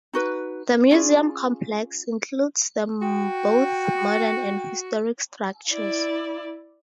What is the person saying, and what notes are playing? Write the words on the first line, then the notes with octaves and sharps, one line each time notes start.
The museum complex includes the both modern and historic structures.
D#4 F#4 B4
C#4 F4 G#4 D5
F#4 G5
E4 D5